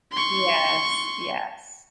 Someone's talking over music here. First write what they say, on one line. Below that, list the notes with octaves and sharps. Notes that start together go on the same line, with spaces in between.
Yes. Yes.
C6 C#6